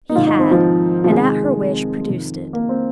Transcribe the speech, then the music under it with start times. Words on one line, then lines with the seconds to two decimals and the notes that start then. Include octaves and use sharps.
He had, and at her wish produced it.
0.10 D#4
0.15 G#2 D#3 F4
0.27 D#4
0.39 C4
0.51 F3
1.04 F3
1.10 F2 C3 D#3 G#3
2.06 F2 D#3
2.53 A#3
2.69 C4